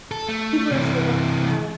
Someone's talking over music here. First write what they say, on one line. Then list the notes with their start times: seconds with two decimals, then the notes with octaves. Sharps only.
people are still gonna have
0.11 A4
0.29 A3
0.71 C3 E3